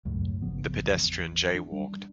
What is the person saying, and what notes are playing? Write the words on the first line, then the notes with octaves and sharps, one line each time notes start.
The pedestrian jaywalked.
C#2 F#2 A2
G#1 C#3 F3 B3
E2
D4
G3